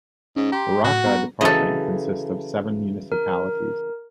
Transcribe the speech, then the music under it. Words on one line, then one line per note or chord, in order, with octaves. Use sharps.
Arauca department consists of seven municipalities.
G#2 C#4
G4 A#5 C6
A2 F#4
B3 A#5
C#3 E3 F#3 A4 D#5
A#4